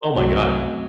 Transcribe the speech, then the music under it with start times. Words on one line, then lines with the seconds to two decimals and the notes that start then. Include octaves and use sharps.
Oh, my god,
0.17 C2 F#2 F#3 A3 C4 F#4